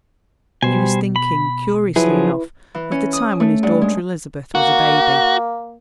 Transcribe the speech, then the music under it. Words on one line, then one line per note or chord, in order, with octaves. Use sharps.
He was thinking, curiously enough, of the time when his daughter Elizabeth was a baby.
B2 G3 C5 G#5
B5
F3 F#3 E4 G#4 B4
E3
C#4
D#6
A3
G2
G#3
A#3 F#4